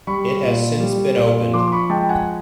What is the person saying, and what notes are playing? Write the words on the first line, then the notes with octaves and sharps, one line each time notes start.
It has since been opened.
G3 B5 C#6
A#2
G3
A#2
F3 C6 D6
D6
B5 C#6
G#3 G5 A5
F#5 G#5